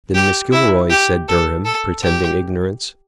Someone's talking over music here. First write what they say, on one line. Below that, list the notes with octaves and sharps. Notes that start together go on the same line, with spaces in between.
"Then Mrs. Gilroy," said Durham, pretending ignorance.
G4
E4
G4
A4
A4
G4